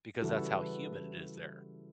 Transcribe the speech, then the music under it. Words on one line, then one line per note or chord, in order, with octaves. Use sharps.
because that's how humid it is there.
C#3 E3 G3 E4 F#4 A4